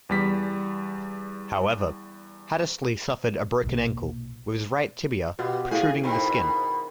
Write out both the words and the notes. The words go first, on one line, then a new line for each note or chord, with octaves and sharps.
However, Hattersley suffered a broken ankle, with his right tibia protruding the skin.
E2 G3 B6
B1 A#2
B2 B3 F4 G4
A2 G#4 F5
B2 D#3 C4 B5